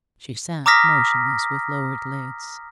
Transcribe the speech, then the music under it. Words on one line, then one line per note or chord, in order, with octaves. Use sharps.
She sat motionless, with lowered lids.
A#5 D6 D#6 F6 A#6 B6